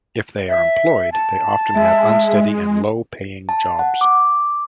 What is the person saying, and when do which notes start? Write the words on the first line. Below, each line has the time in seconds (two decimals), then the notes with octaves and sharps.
If they are employed, they often have unsteady and low-paying jobs.
0.49 E5
1.12 A5
1.76 G#3 E5
3.49 A5
3.79 F#5
4.01 D6